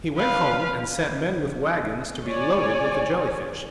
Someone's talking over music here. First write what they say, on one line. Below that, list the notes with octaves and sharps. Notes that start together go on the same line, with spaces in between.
He went home, and sent men with wagons to be loaded with the Jelly-fish.
B4 F5
C#5 D5 G#5